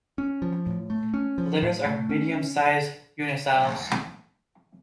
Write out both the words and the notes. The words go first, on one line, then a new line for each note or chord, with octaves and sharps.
The letters are medium-sized uncials.
C#4
F3
A2
A3
C#4
F3
A2
A3
C#4